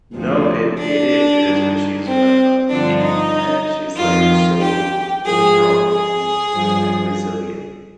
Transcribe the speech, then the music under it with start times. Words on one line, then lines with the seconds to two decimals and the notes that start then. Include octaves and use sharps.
No, it it is it is, but she's a tough cookie, and she's, like, so so strong and uh, and resilient,
0.14 D2 C3 F3
0.78 D4
1.42 G2 D#3
2.06 C4
2.70 G2 D3 F3 D4
3.01 D#4
3.97 F2 D#3 F4
4.61 G4
5.25 G#2 F3 G#4
5.89 G#4
6.53 G2 F3